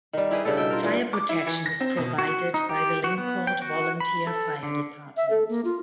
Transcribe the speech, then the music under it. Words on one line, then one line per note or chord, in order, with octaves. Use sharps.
Fire protection is provided by the Lyncourt Volunteer Fire Department.
D#3 G3
E4 G4 G#4 B4
G2 C#3 E4 A4
B2 E5 G5
F4 A#4
A#2 E3
D6
E4
E3
A#6
C4
B2
F#4
D#4
G4
F#4
B3
G5
F#4
B5
A4
D3
E5
A4
A#3
F4